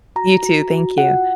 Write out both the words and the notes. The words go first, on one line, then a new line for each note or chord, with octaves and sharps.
You too. Thank you.
F#4 A#5
F#4
F#4
F4 F#5